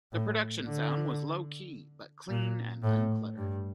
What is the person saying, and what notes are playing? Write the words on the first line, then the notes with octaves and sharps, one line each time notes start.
The production sound was low-key, but clean and uncluttered.
A2
D3
A#2
A2
G2